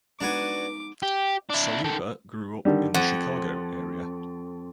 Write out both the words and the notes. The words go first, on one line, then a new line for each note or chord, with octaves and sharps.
Saliba grew up in the Chicago area.
G#3 B3 D4 D#4 F#4 B4 G#5 D6
G4
D4 E4
D#3 A4
D3 D#3 G3
F2 F#5